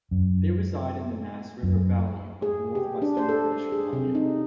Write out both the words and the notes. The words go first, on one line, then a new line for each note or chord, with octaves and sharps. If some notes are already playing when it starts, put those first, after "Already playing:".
They reside in the Nass River valley of northwestern British Columbia.
F#2
F#2
G#4
G4
D4
C5
A4
G#4
C3
D#4